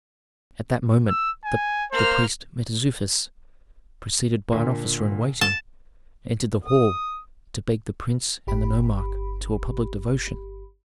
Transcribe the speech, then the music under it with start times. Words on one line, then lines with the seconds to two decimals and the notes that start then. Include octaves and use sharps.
At that moment the priest Mentezufis, preceded by an officer in waiting, entered the hall to beg the prince and the nomarch to a public devotion.
1.09 E6
1.45 G#5
1.92 A#3 C5 F6
4.52 A#2 D3
5.41 A5
6.65 D#6
8.47 G1 G4 B5